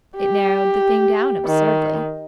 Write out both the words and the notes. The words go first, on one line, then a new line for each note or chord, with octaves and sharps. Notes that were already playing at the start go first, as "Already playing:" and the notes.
It narrowed the thing down absurdly.
G4
D#3